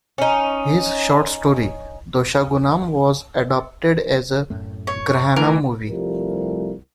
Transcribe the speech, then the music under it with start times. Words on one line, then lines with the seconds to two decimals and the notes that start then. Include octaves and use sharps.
His Short story Doshagunam was adapted as a Grahanam movie.
0.18 C#4 D#4
4.50 F#2 A2 A3
4.87 C#5
5.36 C#3 E3 A3 A#4
5.88 C2 F3 G3 A3 A#4